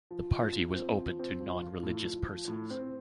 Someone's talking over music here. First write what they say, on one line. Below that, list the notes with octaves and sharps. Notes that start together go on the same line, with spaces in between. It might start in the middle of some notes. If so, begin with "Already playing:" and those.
The party was open to non-religious persons.
F3
F3
F3
C4
F3
C4
F3
F4
A2
F3
F3
A2
C4